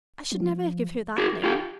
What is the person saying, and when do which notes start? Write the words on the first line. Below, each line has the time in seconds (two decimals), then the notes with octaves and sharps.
I should never give her that name.
0.32 F#3
0.40 F3
1.18 F#4 G#4
1.44 F4 G4